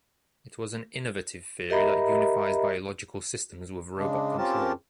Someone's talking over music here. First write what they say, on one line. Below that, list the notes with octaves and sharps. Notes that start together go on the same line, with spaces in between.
It was an innovative theory that unifies biological systems with robot control.
G4 A#4 D#5 E5 A#5 B5
C#3 G#3 D4
C4 C#4 F4 G4 A#4 A5